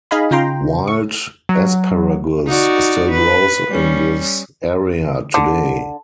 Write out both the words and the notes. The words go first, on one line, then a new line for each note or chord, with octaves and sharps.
Wild asparagus still grows in this area today.
D#4 G#4 D#5 F5 G#5 B5
C#3 F4 G5 A#5 C6
C#6
F#3
D#4 F#4 D5
B4
G3 C#4
D3